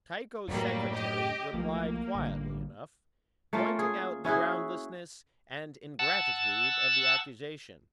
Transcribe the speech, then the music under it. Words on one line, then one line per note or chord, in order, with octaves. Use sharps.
Tycho's secretary replied quietly enough, pointing out the groundlessness and ingratitude of the accusation.
F#2 A2 F#3 G3 A3 A#3
G4 D#5
B1 F3 A3 A#3
A1 G2 D3
A3 A#3 C#4 F4
G#4
C#4 E4 F#4 G#4
F#5 A5 E6